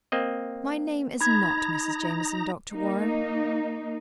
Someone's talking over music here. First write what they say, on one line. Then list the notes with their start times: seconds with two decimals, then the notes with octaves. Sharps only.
My name is not Mrs. Jameson, Dr. Warren.
0.12 A#3 C4 D#5
1.21 D#4 A#5 B5 G#6
2.72 A#3 D#4